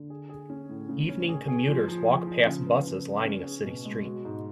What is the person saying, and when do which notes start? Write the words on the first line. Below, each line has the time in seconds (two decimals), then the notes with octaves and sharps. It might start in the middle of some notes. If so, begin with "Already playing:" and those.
Evening commuters walk past buses lining a city street.
Already playing: D3
0.10 G#4
0.29 G#4
0.50 C#4
0.69 A2
0.89 C#3
1.09 C#4
1.29 G#4
1.48 G#4
1.68 F3
1.88 F3
2.08 F3
2.27 F3
2.46 C#3
2.67 B3
2.87 C#3
3.06 B3
3.25 C#4
3.45 G#4
3.65 B2
3.85 G#3
4.04 F#4
4.25 G#2